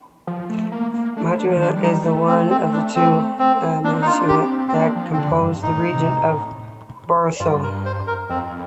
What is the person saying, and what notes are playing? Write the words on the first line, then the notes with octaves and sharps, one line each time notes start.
Montalegre is one of the two municipalities that compose the region of Barroso.
F3
A3
A#3
A#3
A3 D4
D4
F3
D#3
D4
F3
G3
D#4
A3
C4
C4
D4
C4
C4
A#3 D4
C4
A#3 D#4
F4
D4
G4
C4
C4
A#3 D4
F3
C4
D3 D4
F2
G2
A2 D#4
C3
A2
G2 F4
A#4
C5
A#4
F2 C4